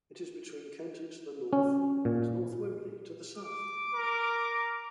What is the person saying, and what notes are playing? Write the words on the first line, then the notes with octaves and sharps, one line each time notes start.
It is between Kenton to the north, and North Wembley to the south.
C#4
A#2
D6
A#4